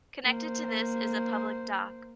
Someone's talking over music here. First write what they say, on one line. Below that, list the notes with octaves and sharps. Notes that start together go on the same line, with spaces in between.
Connected to this is a public dock.
A#3 C5